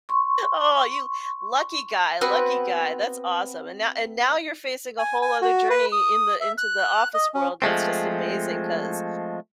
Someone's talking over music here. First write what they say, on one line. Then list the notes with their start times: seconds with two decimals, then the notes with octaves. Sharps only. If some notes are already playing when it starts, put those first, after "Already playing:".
Oh, you lucky guy, lucky guy, that's awesome, and now and now you're facing a whole other journey in the into the office world, that's just amazing 'cause,
0.09 C6 C#6
2.21 B3 C4 F#4 B4
4.99 G#5
5.22 G#5
5.42 F#4
5.70 B4
5.92 D#6
6.41 E5
6.58 F#6
7.14 D#5
7.34 C#4
7.62 F3 G#3 A3 C4